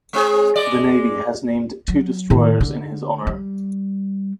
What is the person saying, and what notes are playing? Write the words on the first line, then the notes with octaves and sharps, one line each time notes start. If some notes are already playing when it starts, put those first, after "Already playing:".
The Navy has named two destroyers in his honor.
G#3 C4 G#4
G#3 D5
F#3
A2 D#3
D3
G3